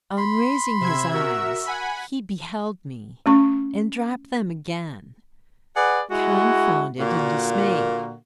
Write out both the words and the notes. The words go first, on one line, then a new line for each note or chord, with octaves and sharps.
On raising his eyes, he beheld me, and dropped them again, confounded and dismayed.
B5 C6
C3 E5 G#6
F#4 A#4 E5 E6
F#5 G#5 B5
A3 C#4 C#6
G#4 B4 D5 F#5
G#3 E4 F#4
A#2 D3 A#3 F#4